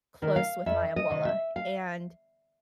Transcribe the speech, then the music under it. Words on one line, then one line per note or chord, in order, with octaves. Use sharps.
close with my abuela, and,
C3 D#3
F5
F2 E5
D#5
C3 D#3
E5
F5